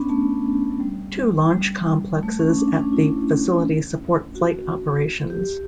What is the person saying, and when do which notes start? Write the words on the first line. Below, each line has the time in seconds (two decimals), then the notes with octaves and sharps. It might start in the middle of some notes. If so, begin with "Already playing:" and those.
Two launch complexes at the facility support flight operations.
Already playing: B3 C#4 D4
0.09 A3
0.80 G3
1.51 G3
2.23 A3
2.39 C#4
2.58 D4
2.76 C#4
2.93 E4
4.35 F#4
5.30 G4